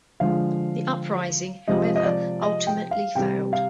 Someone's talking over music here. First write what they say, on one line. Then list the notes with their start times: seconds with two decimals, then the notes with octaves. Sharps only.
The uprising, however, ultimately failed.
0.20 D3 F3 G#3 F5
1.68 C3 F3 G#3 D#5
1.96 D#5
2.05 D5
2.42 D#5
2.67 G5
2.91 F5
3.15 C3 G3 G5
3.53 F5